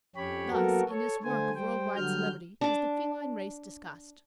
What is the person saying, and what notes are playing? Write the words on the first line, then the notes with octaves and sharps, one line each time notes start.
Thus, in this work of world-wide celebrity, is the feline race discussed.
F2 C#4 G4 C#5 B5
F#3 A#3 B3 F#4 A4 A#4
A4 C#5
D3 A3 C5 G#5
G3 C5 G5
D3 F#3 G3 F6 G6
D4 D6